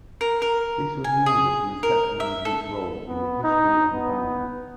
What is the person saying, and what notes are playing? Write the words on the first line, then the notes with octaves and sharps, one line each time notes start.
This was in order to reflect management's role in the history of the band.
A#4
A#4
G#5
G#4
A#4
E5
A4
B3
D#4
B3